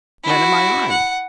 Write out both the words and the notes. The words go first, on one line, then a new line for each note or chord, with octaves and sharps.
"When am I on?"
E4 F#4
F#5